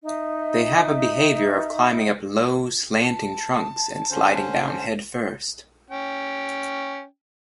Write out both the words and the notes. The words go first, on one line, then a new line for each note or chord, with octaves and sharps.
They have a behaviour of climbing up low, slanting trunks and sliding down headfirst.
D#4 D#5 E5
A5
D3 C#4 C5
C#4 G5